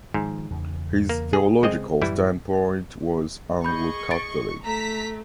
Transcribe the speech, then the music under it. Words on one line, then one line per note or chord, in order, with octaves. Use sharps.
His theological standpoint was Anglo-Catholic.
G#2 D#3 F3
E2 C#3
A#3
C3 G#4
C#3 G#3 C4 D#5
F#2 A2 E3 G3 E4
G#4 D#5 B5 C#6 G6
A6 D7
A3 A#5 B6